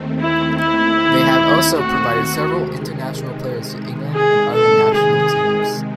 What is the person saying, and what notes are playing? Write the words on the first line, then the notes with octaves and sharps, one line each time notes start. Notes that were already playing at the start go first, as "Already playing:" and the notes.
They have also provided several international players to England and other national teams.
Already playing: D#2 D#3 A3 C4
E4
E4
F#4
C3 D#3 G#3
G#4
A4
G#4